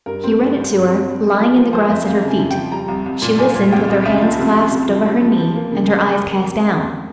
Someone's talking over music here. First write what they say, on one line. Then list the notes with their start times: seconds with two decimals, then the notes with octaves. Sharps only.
He read it to her, lying in the grass at her feet; she listened with her hands clasped over her knee and her eyes cast down.
0.06 G2 A#4
0.24 C4
0.39 G2
0.57 G3
0.73 G2
0.89 C4
1.06 G3
1.23 G3
1.40 F3 G#4
1.56 F3 A#4
1.73 F2 C5
1.89 F2 E5
2.05 F2 F5
2.22 C#3
2.28 G#5
2.39 F2
2.51 F3 G5
2.72 G3 A#5
2.88 C2
3.06 C2
3.22 A#2
3.38 A#2 G#5
3.56 A#2
3.72 C2 G5
3.88 C2
4.05 C#2 E5
4.22 F3
4.39 C3
4.55 C3
4.71 C3
4.88 F3
5.05 C4
5.22 F3
5.38 F3
5.55 A#3
5.71 C#3
5.87 F2
6.04 F2 G#5